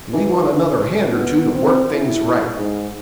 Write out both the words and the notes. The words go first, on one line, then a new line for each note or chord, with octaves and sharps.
We want another hand or two to work things right.'
E3
B3
C4
E4
G#2